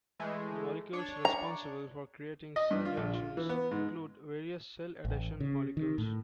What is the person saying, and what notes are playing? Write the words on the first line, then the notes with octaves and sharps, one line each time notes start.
The molecules responsible for creating cell junctions include various cell adhesion molecules.
E3 G#3 A3
D4 C#5
A#5
D#5
G2
F4
A#1
F4
E3
B3
G#2
A1
C#3
D#3
A2